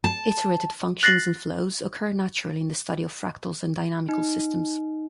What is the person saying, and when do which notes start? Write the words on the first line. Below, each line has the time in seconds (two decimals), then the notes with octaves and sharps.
Iterated functions and flows occur naturally in the study of fractals and dynamical systems.
0.04 A5
1.03 F#6 A6 A#6 C7 F#7
4.09 D#4